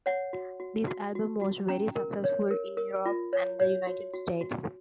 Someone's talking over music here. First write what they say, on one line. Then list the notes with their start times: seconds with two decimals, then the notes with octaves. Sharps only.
This album was very successful in Europe and the United States.
0.06 C#5 F#5
0.33 F#4
0.60 F#4
0.88 F#4
1.15 F#4
1.41 F#4
1.69 C#4 A#5
1.96 A#4
2.24 C#5
2.51 A#4
2.77 A#4
3.06 F4
3.33 C#5
3.60 C#5
3.87 F#4
4.14 F#4
4.41 F#4